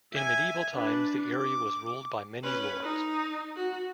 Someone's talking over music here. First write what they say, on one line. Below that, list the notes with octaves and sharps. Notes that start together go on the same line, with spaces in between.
In medieval times the area was ruled by many lords.
E5 G#5
D4 B4
D6
C#4 B4
D#4
F#4